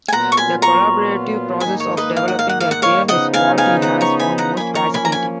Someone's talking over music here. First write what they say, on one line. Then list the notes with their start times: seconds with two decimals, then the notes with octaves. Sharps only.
The collaborative process of developing a game is what he has found most fascinating.
0.08 G#5
0.12 A#2 F#3 B3 F4 F#5 A#5
0.32 C#6
0.37 G#5 B5
0.62 A#5 C#6
1.60 G#2 D#3 A#3 D#4 G#5 B5
1.80 C#5
1.97 B4 D#5
2.16 F5
2.28 F#5
2.39 F5
2.49 F#5
2.60 F5
2.71 F#5
2.82 C#5 F5
3.08 C#3 F3 B3 D#4 D#5 F#5
3.33 F5 G#5
3.58 F5 G#5
3.82 F#5 A#5
4.01 A#5 C#6
4.19 G#5 B5
4.38 F#5 A#5
4.57 F3 A#3 C#4 G#5 B5
4.75 A#5 C#6
4.94 G#5 B5
5.05 A#5
5.12 G#5 B5